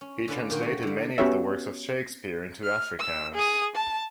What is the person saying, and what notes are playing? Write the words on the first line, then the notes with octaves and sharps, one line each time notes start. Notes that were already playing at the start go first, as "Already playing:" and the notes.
He translated many of the works of Shakespeare into Afrikaans.
C#4
D3 C#4 F4 B4 D5 A5
A#2 D#3 A#3 F#4 A#4 G5
A3
D3 G3
B3 C#4 F#4 G4 C#5 E5
F6
E6
G#4 D#6
A5